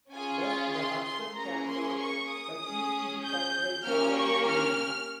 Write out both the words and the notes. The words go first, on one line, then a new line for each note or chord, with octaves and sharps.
Thus the Hudson Canyon continues to be cut by traveling sediments.
C#4 F4 G#4 G#5
G#5
C6
C6
A#3 C#4 G#4 A#5
C6
C#6
D#6
C#4 G#4
G6
A#3 C#4 G4 F6
C#6
F6